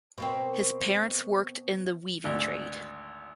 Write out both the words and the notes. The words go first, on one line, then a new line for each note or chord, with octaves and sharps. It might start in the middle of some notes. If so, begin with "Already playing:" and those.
His parents worked in the weaving trade.
B2 A#3 C4
G#1 D2